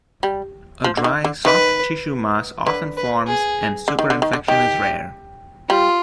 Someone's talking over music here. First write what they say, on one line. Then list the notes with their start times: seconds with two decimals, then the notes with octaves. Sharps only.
A dry soft tissue mass often forms and superinfection is rare.
0.23 G3
0.84 F3
0.97 D3
1.04 D#3
1.25 D3
1.45 D#3 B4
2.66 D3 B4
2.97 B4
3.27 G#4
3.88 D3
3.99 D#3
4.10 D3
4.22 D#3
4.33 D3
4.48 D#3 G4
5.69 G3 F4